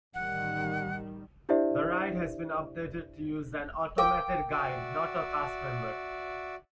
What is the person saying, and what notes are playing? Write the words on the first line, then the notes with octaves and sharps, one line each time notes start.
The ride has been updated to use an automated guide, not a cast-member.
A1 D#3 G3 F#5
D4 E4 G4 C5 D5 E5
A#4 F5 G5 D6
F#4 D5 E5